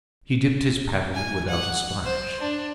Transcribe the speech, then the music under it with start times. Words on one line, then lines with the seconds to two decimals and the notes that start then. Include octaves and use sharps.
He dipped his paddle without a splash.
1.15 G#5
1.49 F#5
2.05 C5
2.40 D4